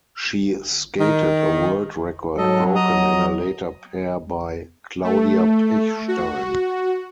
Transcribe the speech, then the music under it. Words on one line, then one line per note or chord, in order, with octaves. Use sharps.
She skated a world record broken in a later pair by Claudia Pechstein.
D#3
G#2 F#3 A4 D#5
D#5 A#5 D#6
A3
F#4